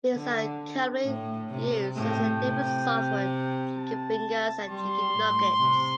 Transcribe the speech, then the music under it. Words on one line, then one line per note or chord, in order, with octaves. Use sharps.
These are commonly used as a dipping sauce for Chicken fingers and chicken nuggets.
D3
A2
C3
A2 G5
C3
A5
G3 C6
A2
C3